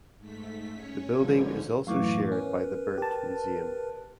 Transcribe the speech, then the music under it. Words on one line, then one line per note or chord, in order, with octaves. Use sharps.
The building is also shared by the Berndt Museum.
G#2 A3 B6
C#4 C#5
G#1 D3 F3
F#2 A2 E3 F5 C#6 D6
C#4 A#4 B4
G4 A5